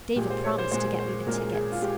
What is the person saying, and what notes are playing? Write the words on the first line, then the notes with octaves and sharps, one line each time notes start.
David promised to get me the tickets.
A#2 G#3 G4
C5
C#5
C5
A#2 G#3 C5
C5
A#2 G#3 A#4
G#4
F4
G#3 G4